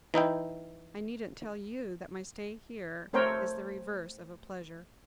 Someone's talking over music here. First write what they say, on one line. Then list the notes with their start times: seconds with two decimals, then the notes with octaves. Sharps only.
I need n't tell you that my stay here is the reverse of a pleasure.
0.14 E3 D#4 E4 G5
3.13 A3 C4 A#4 C5 C#5 G5